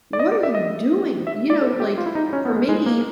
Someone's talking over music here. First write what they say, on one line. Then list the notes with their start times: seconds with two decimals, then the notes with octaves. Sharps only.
"What are you doing?" You know, like, for me,
0.13 D5
0.19 D#5
0.32 D5
0.43 E5
0.55 D#5
1.27 E5
1.50 D5
1.62 A4
1.80 G4
1.98 F4
2.06 E4
2.15 D#4
2.33 C#4
2.45 B3
2.56 G#3
2.69 G#3
2.86 A#3